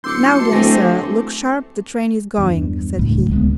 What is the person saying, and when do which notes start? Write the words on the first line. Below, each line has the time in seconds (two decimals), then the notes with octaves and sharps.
"Now then, sir, look sharp, the train is going," said he.
0.04 D1 C6 D6 E6 G6 C#7
0.39 B2 A5
0.53 D1 A3 C4 G#5 D6 A#6
2.38 E2 G2
2.99 D1 C#2 A2
3.31 D2 G#3 A#3 B3